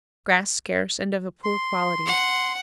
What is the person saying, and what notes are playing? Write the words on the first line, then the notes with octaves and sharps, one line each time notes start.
Grass scarce and of a poor quality.
C6
F#5